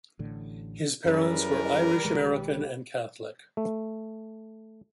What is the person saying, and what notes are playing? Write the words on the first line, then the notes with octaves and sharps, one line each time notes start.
His parents were Irish American and Catholic.
A1 A2 D3
F#2 G3 C#4 E4 G#4 A#4 B4
B1 D#3 G#3 G4
A3